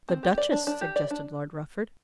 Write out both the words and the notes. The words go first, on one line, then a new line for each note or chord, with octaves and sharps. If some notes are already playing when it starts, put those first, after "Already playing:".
"The Duchess!" suggested Lord Rufford.
C4
G4
D5
D4
D4
G4
D5
D4